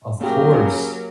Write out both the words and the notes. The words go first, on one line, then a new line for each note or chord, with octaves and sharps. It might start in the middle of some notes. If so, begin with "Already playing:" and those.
Of course.
C#3 F#3 A#3 G4 A#4